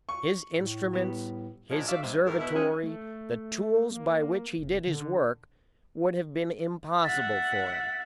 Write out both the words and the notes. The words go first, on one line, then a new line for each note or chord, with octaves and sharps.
His instruments, his observatory--the tools by which he did his work--would have been impossible for him.
C#6
A2
G3 B3
A#2 F3 G#3 D4 C#5 D#5
F#4 D5 E5 F5
G2 C3 D#4
E2 G#2 C3 D#3 A4 A#4
B2 E4
E3 F3 G#3 C#4
A3
A#3
F1
D3
E5 F#5 A6